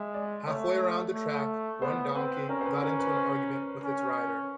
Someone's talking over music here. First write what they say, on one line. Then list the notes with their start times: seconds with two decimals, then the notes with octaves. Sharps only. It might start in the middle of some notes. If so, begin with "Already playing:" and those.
Halfway around the track one donkey got into an argument with its rider.
Already playing: G#3 E5
0.14 D5
0.47 A3 C#5
1.14 A3
1.82 B3 C5
2.15 C4 B4
2.49 C#4 A#4
2.61 C5
2.65 B4
2.82 A#4
2.99 B4
3.16 C5
3.83 C#4